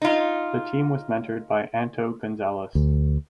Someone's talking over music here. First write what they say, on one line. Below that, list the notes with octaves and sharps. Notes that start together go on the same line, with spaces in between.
The team was mentored by Anto Gonzales.
D#4 F4
D2